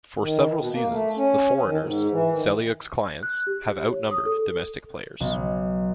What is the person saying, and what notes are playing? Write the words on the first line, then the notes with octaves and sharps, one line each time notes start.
For several seasons, the foreigners, Selyuk's clients, have outnumbered domestic players.
D#3
B2
A#3
A3
C#4
D#3
G#2
E3
D#3
F#6
G4
C#5
D#6
A4
B1